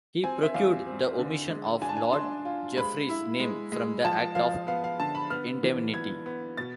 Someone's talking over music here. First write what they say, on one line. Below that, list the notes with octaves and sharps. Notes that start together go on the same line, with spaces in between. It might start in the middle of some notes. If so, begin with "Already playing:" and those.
He procured the omission of Lord Jeffreys's name from the Act of Indemnity.
C4 G#5
E5
E2 F5
C4
D3
G#3
D4 G#5
A5
G#5
D4 C6
F4
G#3 B5
E4
G#3
G#3
F3 A5
F3 F5
B3 F5
F5
D3 A5
B5
B3 F6
E3
B3 G#6
B3
B2 A6